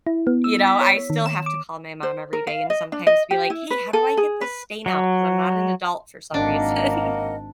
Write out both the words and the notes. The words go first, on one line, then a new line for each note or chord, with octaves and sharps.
you know, I still have to call my mom every day and sometimes be like, "Hey, how do I get this stain out? 'Cause I'm not an adult for some reason."
E4
B3
E6
B6
C#5
D#3
E7
D6
C5
A#4
F5
D#5
D4
D#5
G4
E4
B4
A4
G#4
B4
F#3
G#1 A#3 D4 A#4 D#5 F#5